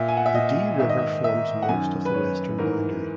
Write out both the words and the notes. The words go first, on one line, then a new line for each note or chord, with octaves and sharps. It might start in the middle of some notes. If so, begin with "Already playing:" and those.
The "Dee River" forms most of the western boundary.
Already playing: A#2 E5
G#5
F#5
E5
D#5
G#2 D#3 E5
D#5
E5
E5
F#5
F#2 D#3 G#5
B4
C#5
G#2 E3 A#4